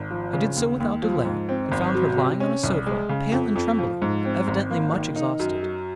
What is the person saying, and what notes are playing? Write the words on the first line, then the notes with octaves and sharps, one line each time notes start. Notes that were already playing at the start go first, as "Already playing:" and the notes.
I did so without delay, and found her lying on a sofa, pale and trembling, evidently much exhausted.
Already playing: G#1
F3
C#3
D#2
D#2
F3
G#2
C4
G#1
F#3
C3
C#4
C2
G#3
C#3
F2
F2
F3
G#2
C4
G#1
A#3
D#3
D#4
F#2
F#3